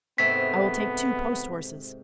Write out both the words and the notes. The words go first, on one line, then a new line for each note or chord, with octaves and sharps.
"I will take two post-horses."
G#2 C3 A3 B3 B6